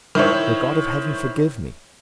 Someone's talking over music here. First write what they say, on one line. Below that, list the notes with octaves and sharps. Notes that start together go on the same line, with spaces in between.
The God of heaven forgive me!
D#3 E4 C5 C#5